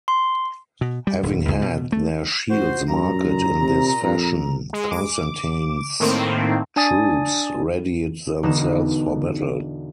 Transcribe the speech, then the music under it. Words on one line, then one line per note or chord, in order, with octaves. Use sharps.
Having had their shields marked in this fashion, Constantine's troops readied themselves for battle.
C6
B2
G3
D#1
C#2
B2
A3
A1 F#4 C5
F#2 A#2 A#5
C3
F2
G#3
D6
A2 D#3 A#3 C4
D4 D5 G#5 D#6 A6
E1 D3 B3 D#4 E7